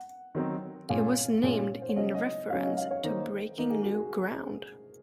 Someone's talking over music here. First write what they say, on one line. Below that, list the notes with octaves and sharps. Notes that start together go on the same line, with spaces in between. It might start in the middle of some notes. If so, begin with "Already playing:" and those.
It was named in reference to breaking new ground.
Already playing: F#5
D#3 F#3 C4 D#4
A#2 G#3 C#4 F5
A#2 G#3 C#4
C5
C#5
C#3 F#3 C#4 D#5
D#5
C#3 F#3 C#4 F5
D#5
F5
C#5
D#3 A#3 D#4 C5
D#3 A#3 D#4 A#4
G#4
F#4
G#4